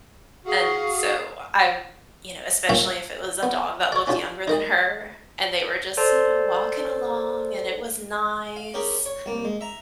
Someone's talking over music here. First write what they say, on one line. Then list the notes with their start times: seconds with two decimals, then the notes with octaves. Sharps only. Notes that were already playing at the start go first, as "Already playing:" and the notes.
and so I've you know, especially if it was a dog that looked younger than her and they were just, you know, walking along and it was nice
0.46 F#4 G#4 F5 F#5
2.69 G2 A#2 C#4 E5 F5 G5
3.43 B3
3.92 C#5 D5
4.07 C#4 D4 F4 G4
4.48 D#4 A#4 D#5
5.97 A4 C5 D5 A5 C6
8.56 F5
8.74 C#4 G4 G#4 A#4
9.06 C#5
9.26 C2 A#3
9.44 G#3
9.61 E5 A#5